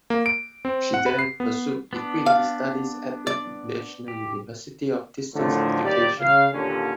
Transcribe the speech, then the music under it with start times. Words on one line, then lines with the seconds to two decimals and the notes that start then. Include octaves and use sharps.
She then pursued equity studies at the National University of Distance Education.
0.10 A#3
0.26 D7
0.65 C4
0.94 F#5
1.06 B4
1.19 C7
1.40 B3
1.93 B3 D4
2.26 F5
3.27 D5
4.08 G4
5.35 A2 D3 D#3 F3 F#3 A3
5.84 F#1 D#2 D#4 G4 D5
6.19 C#3 F5
6.53 D#2 A#2 D3 C#4